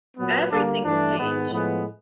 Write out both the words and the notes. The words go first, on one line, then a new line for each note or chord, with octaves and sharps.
Everything would change.
A#2 F#3 B3
D3 G3 A#3 D4
G2 E3 A3 D4
G#2 D#3 G#3 B3
A2 F3 G#3 B3